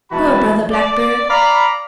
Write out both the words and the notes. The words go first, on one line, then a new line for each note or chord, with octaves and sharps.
Poor Brother Blackbird!
B2 E3 G#3 F#4 A5 B5
D5
D5 F5 A#5 B5